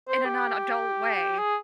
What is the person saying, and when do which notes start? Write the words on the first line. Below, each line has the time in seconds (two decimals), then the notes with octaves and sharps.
in a non-adult way,
0.08 C5
0.25 G4
1.39 G#4